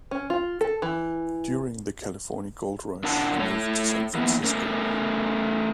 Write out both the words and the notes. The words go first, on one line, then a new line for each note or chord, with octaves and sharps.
During the California Gold Rush he moved to San Francisco.
C#4
F4
A4
E3
A#2 D4 A#4 F#5 A5
A3 C#5
E3 A#3 B3
A3 C#4 A#4